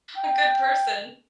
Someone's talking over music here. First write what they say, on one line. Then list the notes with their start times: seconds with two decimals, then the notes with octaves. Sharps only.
A good person.
0.18 G5